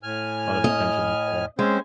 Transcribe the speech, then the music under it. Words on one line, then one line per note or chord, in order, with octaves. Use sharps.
lot of attention and prayer,
A2 G#5 F6
D#5
G#3 C4 C#4 C5